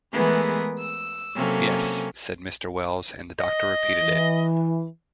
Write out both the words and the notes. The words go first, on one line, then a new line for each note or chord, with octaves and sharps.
"Yes," said Mr. Wells, and the doctor repeated it.
E3 G#3 A3 B3 G#4 A#4
E6
C3 F#3 A#3 C#4 A4
D#5
E3